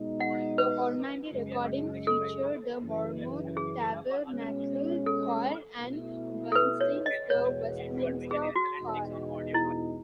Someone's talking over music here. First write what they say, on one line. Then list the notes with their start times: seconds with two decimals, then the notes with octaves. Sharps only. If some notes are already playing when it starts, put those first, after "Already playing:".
The Ormandy recording featured the Mormon Tabernacle Choir, and Bernstein's the Westminster Choir.
Already playing: B2 G#3 D#4
0.20 F#5
0.58 B4
1.32 F#2 C#3 G#3
2.07 A4
2.82 F#2 C#3 E3
3.57 G#4
4.32 B2 G#3 C#4
5.06 A4
5.81 B2 A3 E4
6.52 A4
6.55 B4
6.81 C#5
7.06 D#5
7.30 E2 B2 G#3 B3 C#5
8.31 G#4
8.56 F#4
8.80 E2 B2 G#3 D#4
9.54 E4